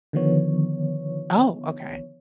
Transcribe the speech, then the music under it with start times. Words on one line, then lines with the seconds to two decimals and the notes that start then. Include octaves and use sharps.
Oh, okay,
0.13 D3 D#3 F3 B3 C#5